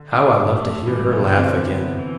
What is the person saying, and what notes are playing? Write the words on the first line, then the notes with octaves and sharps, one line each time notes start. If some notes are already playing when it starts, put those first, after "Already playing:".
How I loved to hear her laugh again!
Already playing: D3
D4
A3
E3 G3
E3
D3
C3 C4
B3
E3